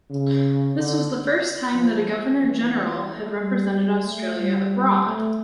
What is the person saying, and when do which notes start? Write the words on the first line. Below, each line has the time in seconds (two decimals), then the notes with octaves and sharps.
This was the first time that a Governor-General had represented Australia abroad.
0.11 C#3
0.77 D3
1.75 F3
2.41 E3
3.07 A3
3.40 G3
4.05 A3
4.39 G3
5.04 A3